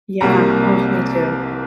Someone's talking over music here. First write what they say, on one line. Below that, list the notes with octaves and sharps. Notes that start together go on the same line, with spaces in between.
Yeah. Oh, me too.
C2 C3 G3 A#3 A#5